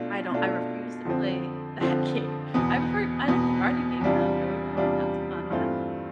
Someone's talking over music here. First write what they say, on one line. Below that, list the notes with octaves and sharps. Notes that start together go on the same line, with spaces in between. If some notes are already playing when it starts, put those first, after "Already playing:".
I don't I refuse to play that game. I prefered I like the garden game, though, Grow a Garden. That's a fun one.
Already playing: B2 A3 D4 F4
B2 A3 D4 F4
F2 D3 F3 C4
F2 D3 F3 C4
E2 B2 B3
E2 B2 B3
E2 C3 G3 D4 F4
E2 C3 G3 D4 F4
G2 E3 A3 C4 F4